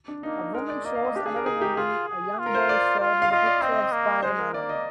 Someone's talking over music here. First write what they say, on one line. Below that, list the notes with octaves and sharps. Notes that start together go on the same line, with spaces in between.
A woman shows another woman a young boys shirt with a picture of Spider Man on it.
D4
A#3 D#4
G#3 A#4
D5
A#3 D#5
F5
D#5
D4 G4
G#4
A#4
D#4 G#4
G4
F4 G#4
G#4
F4
A#4
C5
D5
F4
F5
F4 D#5
D5
C4 D#5
D#5
D#5
A#3
G#3 C5
A#4
A#3 D5
D#5